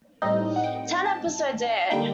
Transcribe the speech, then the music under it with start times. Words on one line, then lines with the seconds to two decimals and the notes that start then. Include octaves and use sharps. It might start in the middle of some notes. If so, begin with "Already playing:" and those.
Ten episodes aired.
0.22 A2 G3 C4 D#4 D#5
0.56 F#5
0.64 G5
1.06 A5
1.90 D3 G3 A#3 D#4 G5